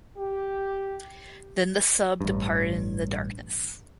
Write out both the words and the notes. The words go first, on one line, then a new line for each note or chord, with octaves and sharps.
Then the sub departed in the darkness.
G4
A1 G2